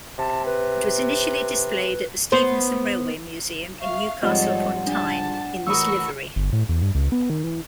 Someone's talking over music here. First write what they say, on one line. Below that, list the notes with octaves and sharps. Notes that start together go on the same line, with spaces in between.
It was initially displayed at the Stephenson Railway Museum in Newcastle-upon-Tyne in this livery.
C3 A5
B4
B3 C5
E5 F5 C#6
G#2 F3 G3 C4 A4 C#5 D#5 F#5
D4 G4 A5
A1 F#4 A#4 B5 C#6 D#6 E6
G1
A2
E2
G2
C#2
B3
D#3
E3